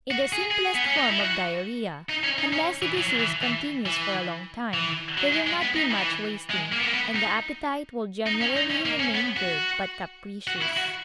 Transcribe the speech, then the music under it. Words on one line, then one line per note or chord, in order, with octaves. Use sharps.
In the simplest form of diarrhoea, unless the disease continues for a long time, there will not be much wasting, and the appetite will generally remain good but capricious.
F#4
G#4
G#4
B3
C#4
D#4
E4
F#4
D#4
C#4
D#4
C#4
E3
F#3
E3
E3
E3
E3
F#3
G#3
G#3
B3
D#4
E3
G#3
A#3
B3
A#3
B3
D#4
D#4
C#4
D#4
C#4
A#3
C#4
B3
F#4
F#4
E4
F#4